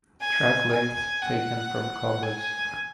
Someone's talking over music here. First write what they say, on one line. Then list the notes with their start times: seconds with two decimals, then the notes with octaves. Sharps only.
Track lengths taken from Qobuz.
0.21 G#5
0.72 G#5
1.21 F#5
2.23 G#5